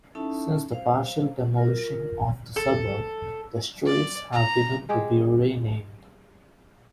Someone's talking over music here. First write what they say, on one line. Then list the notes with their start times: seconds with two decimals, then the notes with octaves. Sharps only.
Since the partial demolishing of the suburb, the streets have begun to be renamed.
0.15 C#4 D#4 E4 A4 E5 A5
0.72 C5 F5
1.57 F4 A#4
2.56 A4
3.86 D5
4.33 A#5
4.89 G#3 G4 G#4 G5